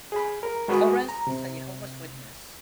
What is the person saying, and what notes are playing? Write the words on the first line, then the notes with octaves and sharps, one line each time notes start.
Torres is a Jehovah's Witness.
G#4 B5
A#4
G#3 F#4 B4 G#5 B5 D#6
A#5
C3